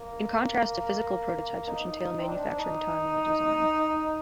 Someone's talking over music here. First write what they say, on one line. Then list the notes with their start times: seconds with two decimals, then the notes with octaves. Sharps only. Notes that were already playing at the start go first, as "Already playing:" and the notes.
In contrast to physical prototypes, which entail manufacturing time in the design.
Already playing: A#3
1.68 D#4
1.98 D#4
2.19 C4
2.28 D4
2.59 D#4